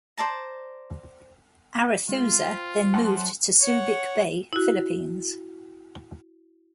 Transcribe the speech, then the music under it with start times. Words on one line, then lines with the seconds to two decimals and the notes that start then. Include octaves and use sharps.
"Arethusa" then moved to Subic Bay, Philippines.
0.17 C5 D5 A5 A#5
2.09 G#3 C4 F4 G#4
2.40 C5 G5
2.94 F#2 F#5 A5 C6
3.61 C#5 F#5
4.53 E4 F#4